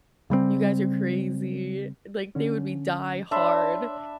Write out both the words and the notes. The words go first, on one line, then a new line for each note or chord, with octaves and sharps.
you guys are crazy." Like, they would be die-hard,
C#3 G3 G#3 C4
D3 C#4
D4 C#5 D5 E5 B5 C6